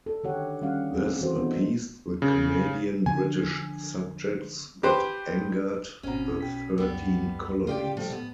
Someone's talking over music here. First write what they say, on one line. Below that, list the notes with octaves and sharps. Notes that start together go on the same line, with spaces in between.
This appeased the Canadien British subjects but angered the Thirteen Colonies.
A4
D3 D#3 G4 C#5 F#5
D#3 G3 C#4 F5 F#5
C4 G#4
E3 F4 F#4 A4 C5
B3 D4 D#4
C#3
D3 F3 G#5
G4 B4 C5
G#1 B2 C4 C#4 A#5
B1 G5 B6
C#2 F#2 G3 B3
A2 C#3 F4 G4 D5 G5
A2 F3 G3 A4
B3